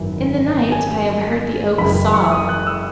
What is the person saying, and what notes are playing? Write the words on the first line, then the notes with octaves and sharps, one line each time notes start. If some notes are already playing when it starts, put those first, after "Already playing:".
In the night I have heard the oak sob.
Already playing: G#1 F#2 E3
G#5
F#1 F#2 C#3 E3 B5
C#6
D#6
F#6
E6